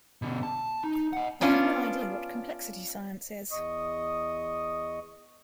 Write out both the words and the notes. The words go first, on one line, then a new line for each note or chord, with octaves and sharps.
I have no idea what complexity science is.
B2 D3
A5
D#4
D#5 F#5
B3 C#4 D4 F4
E2 D#5 C#6 D#6